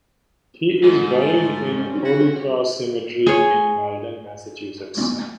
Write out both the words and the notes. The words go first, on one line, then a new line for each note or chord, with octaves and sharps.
He is buried in Holy Cross Cemetery in Malden, Massachusetts.
G#2 A3
G3 C4 C#4
F#4
G#4 C#5